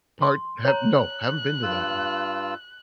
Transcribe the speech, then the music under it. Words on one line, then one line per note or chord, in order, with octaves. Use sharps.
Part have No, haven’t been to that one.
C6
C#5 A#5 F#6
G2 F4 E6